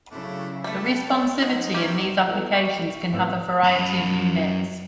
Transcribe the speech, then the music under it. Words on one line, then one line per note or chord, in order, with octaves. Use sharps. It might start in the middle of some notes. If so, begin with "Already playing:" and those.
The responsivity in these applications can have a variety of units.
C#3 F#3 A3 D4 E4
G3 A3 B4 G5 A5
C#5
F3 G#3 D#4 C5 F#5
G3 C4 C#4 G4 A#4
F#3 B3 E4 A4
D5 E5 G5 B5 C#6
A1 A2 C4 F4 B4 E6
F#2 B5